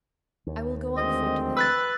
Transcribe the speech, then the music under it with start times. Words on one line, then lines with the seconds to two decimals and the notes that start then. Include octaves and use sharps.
"I will go on foot, then."
0.47 D#2
0.97 D2 G#3 C4 D#5
1.57 B4 E6 F#6 A6